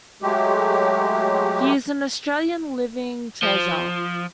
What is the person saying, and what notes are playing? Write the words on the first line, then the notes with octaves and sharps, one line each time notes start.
He is an Australian Living Treasure.
F#3 G#3 A3 G4
F3